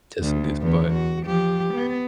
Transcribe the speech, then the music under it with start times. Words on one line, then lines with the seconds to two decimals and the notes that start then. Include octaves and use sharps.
Yes, it is, but
0.23 D2
0.61 E2 B3
0.93 F#4
1.26 F3 G4
1.74 B3